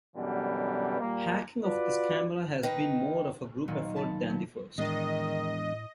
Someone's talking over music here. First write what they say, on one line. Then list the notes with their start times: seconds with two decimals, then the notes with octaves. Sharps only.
Hacking of this camera has been more of a group effort than the first.
0.16 F#2 B2 D3 E3 G3
1.00 A#2 G3 A#3
1.64 F4 F#4 B4 D5
2.63 D#3 D#4 B4
3.68 C#2 A#2 D#3 F#3 A#3 B3
3.96 A5 B5 A6
4.30 F#3
4.78 E2 A2 D#3 G#3 D4 D#5